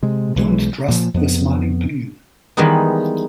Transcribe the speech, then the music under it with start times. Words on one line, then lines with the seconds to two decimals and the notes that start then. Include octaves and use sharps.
Don't trust the smiling penguin.
0.03 C3 G#3
0.36 B1 E3 G#3
0.88 A#2 F3
1.14 F2 B3
2.57 D#3 E3 G3 G#3 B3 D#4